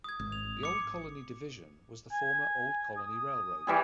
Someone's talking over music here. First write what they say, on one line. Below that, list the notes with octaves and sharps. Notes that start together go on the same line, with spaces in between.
The Old Colony Division was the former Old Colony Railroad.
D#6 G#6
G#1
F7
D6 C#7
G#5
D#6
E3 G3 G#4